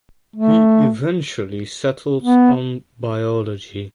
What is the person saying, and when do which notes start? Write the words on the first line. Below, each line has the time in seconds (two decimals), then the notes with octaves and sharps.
He eventually settled on biology.
0.36 A3
2.23 B3